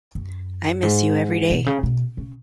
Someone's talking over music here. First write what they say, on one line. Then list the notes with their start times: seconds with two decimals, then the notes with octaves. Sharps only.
I miss you every day.
0.15 F#2
0.83 G#2
1.50 B2
1.66 C#3
1.83 B2
2.17 C#3